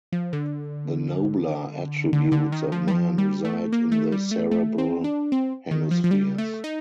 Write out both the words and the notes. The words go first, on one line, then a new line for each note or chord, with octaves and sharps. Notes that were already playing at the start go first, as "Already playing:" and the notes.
The nobler attributes of man reside in the cerebral hemispheres.
F3
D3
D3
D3
D#3
F3
G3
F3
G3
A3
A#3
A3
G3
A3
A3
C4
D4
C4
D#3
F3
F3
G3
A3
D#4